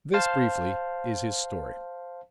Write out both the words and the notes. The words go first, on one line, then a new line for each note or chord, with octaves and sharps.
This, briefly, is his story.
C5 F5 A5